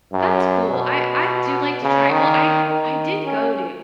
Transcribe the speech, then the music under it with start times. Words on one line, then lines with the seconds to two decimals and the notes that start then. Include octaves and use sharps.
That's cool, I I've do like to try well, I I did go to
0.13 F#2
0.70 B2
1.83 C#3
2.11 D#3
2.68 D#3
3.25 C#4